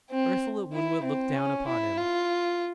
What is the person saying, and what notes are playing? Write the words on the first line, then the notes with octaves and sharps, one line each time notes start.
Ursula Winwood looked down upon him.
C4
E4
C4
C#4
E4
F4